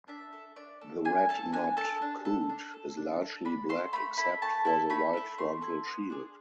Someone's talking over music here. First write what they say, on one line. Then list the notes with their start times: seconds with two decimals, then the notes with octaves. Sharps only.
The red-knobbed coot is largely black except for the white frontal shield.
0.08 D4 E5
0.33 A4
0.56 D4 D5
0.81 A4
1.05 D4 G#5
1.29 A4 A5
1.53 D4 G#5
1.77 A4 A5
2.02 D4
2.25 A4
2.49 D4
2.74 A4
2.97 D4
3.22 A4
3.45 D4 B5
3.69 A4 C6
3.93 A3 B5
4.17 E4 A4 B5
4.42 A3 A5
4.65 E4 A4
4.90 A3 B5
5.13 E4 A4
5.38 A3 C6
5.61 E4 A4
5.86 B3
6.10 D4 G#4